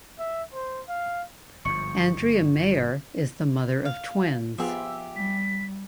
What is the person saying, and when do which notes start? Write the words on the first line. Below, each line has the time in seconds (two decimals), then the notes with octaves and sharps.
Andrea Mayer is the mother of twins.
0.19 E5
0.54 C5
0.88 F5
1.65 G1 G#2 F3 C#6 C#7
3.85 F5
4.58 F3 B3 F4 G4 G#4 E5 E6
5.16 G3 B6